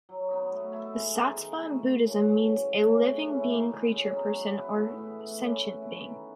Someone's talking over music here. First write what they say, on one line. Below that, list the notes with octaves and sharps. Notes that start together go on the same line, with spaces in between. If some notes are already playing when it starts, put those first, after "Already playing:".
The Sattva in Buddhism means "a living being, creature, person or sentient being".
F#3
B3 D#4
A3
E4 A4 E5
G#3
B3 D#4 G#4
D#3
A3 D#4
E3
G#3 C#4
B2
C#4
G#3
A3
C#4 G#4 C#5
E3
A3 C#4 E4
D#3
G#3 B3
C#3
F#3 B3
G#3
B3 E4 B4
A2
E3 B3
A3
C#4 E4
A3
E4 B4
D#3